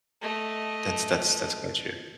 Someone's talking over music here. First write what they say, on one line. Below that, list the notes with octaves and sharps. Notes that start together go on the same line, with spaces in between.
That's that's that's quite true.
A3 D#5